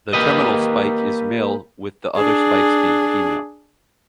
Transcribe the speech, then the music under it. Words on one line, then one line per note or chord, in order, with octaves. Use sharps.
The terminal spike is male with the other spikes being female.
A#3 G4 B4 D#5
D4 G#4